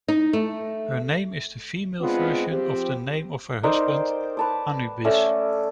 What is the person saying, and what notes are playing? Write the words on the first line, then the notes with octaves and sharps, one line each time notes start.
Her name is the female version of the name of her husband, Anubis.
D#4
A3
G#3 B3 C4 D4 F4
F3 C4 G4
D#4 A#4 C5 D5
G5
B4 A5 D6
A3 C#4 A4 D5